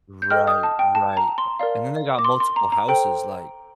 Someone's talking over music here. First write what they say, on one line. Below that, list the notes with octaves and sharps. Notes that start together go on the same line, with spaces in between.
Right. Right. And then they got multiple houses, like
G6
A4 D#5 G5 F6
D#6
A5
G5
A5
A#5
C6
A#4 D5 F5
D6
C6
C6
A#5
A#5
A4 C5 G5